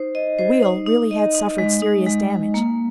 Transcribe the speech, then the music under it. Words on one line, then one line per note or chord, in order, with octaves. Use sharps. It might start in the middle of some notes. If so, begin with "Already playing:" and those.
The wheel really had suffered serious damage.
Already playing: D#4 C5
D#5
C5
D#4
D#4
D#5
D#4
G#3
D#4
G#3
G#3
A#3